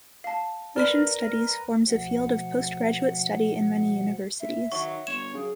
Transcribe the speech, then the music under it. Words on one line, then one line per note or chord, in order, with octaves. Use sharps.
Asian studies forms a field of post-graduate study in many universities.
F5 A5
A#4 B4 D5 F6 B6
B2 F3 A3 F#5
E5
D#3 F#3 C#6
G1 C#5 E7
F#2 C#3 G#4